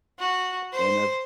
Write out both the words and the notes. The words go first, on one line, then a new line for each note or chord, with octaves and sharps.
in a
F#4
C5